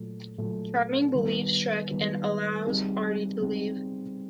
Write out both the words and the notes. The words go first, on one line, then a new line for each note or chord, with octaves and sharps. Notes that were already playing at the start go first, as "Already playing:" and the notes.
Charming believes Shrek and allows Artie to leave.
Already playing: A#2 F#3 A3
A#2 F#3 A3
D#3 G3 B3
D#3 G3 B3
G3 C4 D#4 G#4
G3 C4 D#4 G#4